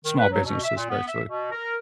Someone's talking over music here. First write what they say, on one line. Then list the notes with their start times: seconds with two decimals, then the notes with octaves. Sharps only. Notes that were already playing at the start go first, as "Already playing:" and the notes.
small businesses, especially.
0.05 D#3
0.19 B4
0.31 F#3
0.44 B2
0.64 E5
0.76 A#2
0.89 B3
1.08 E5
1.27 B2
1.52 A#4